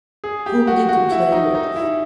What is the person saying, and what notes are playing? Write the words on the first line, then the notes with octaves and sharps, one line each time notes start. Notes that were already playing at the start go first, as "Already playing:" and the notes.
"Whom did you play with?"
G#4
G4
F#4
F#4
E4
D#4
D#4
E4